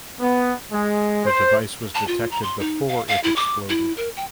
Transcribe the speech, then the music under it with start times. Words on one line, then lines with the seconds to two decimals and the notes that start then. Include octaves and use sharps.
The device was detected before it exploded.
0.20 B3
0.72 G#3
1.25 C5
1.95 A5
2.08 F4
2.31 A#5
2.43 C6
2.60 D#4
2.88 F5
3.08 F5
3.24 E4
3.36 D6
3.69 E4
3.97 A#4
4.16 G5